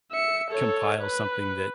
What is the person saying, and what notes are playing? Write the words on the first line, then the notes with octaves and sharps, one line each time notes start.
compile something that,
E5 C#7
A4 C#5
B4